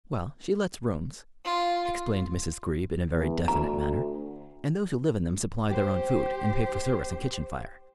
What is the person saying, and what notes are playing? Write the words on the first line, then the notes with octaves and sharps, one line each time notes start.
"Well, she lets rooms," explained Miss Greeb in a very definite manner, "and those who live in them supply their own food, and pay for service and kitchen fire."
F4
E2
D2 A#5
G4 C5